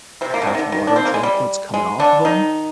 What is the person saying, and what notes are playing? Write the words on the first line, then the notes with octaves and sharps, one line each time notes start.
have water droplets coming off of 'em.
C3 C4
A#3
D3
C3
D#3
D3
D#3
D4
C4
A#3
G#3
G3
G#3
D3 D4
D#3 D#4